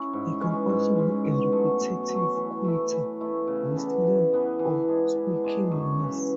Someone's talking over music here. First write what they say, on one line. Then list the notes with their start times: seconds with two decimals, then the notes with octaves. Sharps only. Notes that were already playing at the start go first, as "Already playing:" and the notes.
They can also make a repetitive quieter whistling or squeaking noise.
Already playing: C#4 E4
0.13 G#2
0.41 E3 G#3 C#4
0.69 G#2
0.96 E3 G#3 C#4
1.25 B2
1.52 F#3 A3
1.81 B2
2.09 F#3 A3
2.36 E3
2.64 A3 E4
2.92 E3
3.21 A3 E4
3.47 C#3
3.76 E3 B3 D4
4.03 C#3
4.32 E3 B3 D4
4.59 E3
4.88 G#3 D4 G#4
5.15 E3
5.44 G#3 D4 G#4
5.72 F#2
6.00 C#3 E3